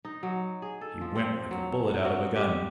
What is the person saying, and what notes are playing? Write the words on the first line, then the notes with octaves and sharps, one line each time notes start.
He went like a bullet out of a gun.
D#4
F#3
G#4
A4
F3
C4
F#3
F#5
F#4
G4